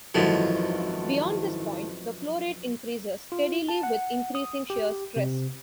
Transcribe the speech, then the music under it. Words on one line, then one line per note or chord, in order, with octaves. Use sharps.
Beyond this point the flow rate increases steadily with increasing shear stress.
G#1 F#2 B2 E3 F3 A4
F4
A5
F#5
D#6
G4
C3